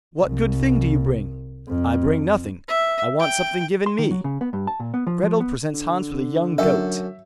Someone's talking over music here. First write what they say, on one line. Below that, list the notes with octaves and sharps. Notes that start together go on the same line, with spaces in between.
What good thing do you bring?' 'I bring nothing, I want something given me.' Gretel presents Hans with a young goat.
C2
F2
E5
G5
C6
D#3
F#3
C#3
B3
G2
A5
A#2
B3
F3
F3
B3
D3
F#2 A4 E5